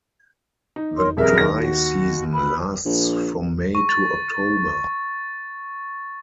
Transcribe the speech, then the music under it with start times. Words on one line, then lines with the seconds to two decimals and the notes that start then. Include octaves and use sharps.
The dry season lasts from May to October.
0.76 D#4
0.97 A#4 C#5 C6
1.17 D#1 F2 G#4 A#4 B4 E5
1.38 D#2 D#4 A#6
1.59 F#4
2.32 B4 B5
2.85 A#1
3.75 C#6
3.89 A6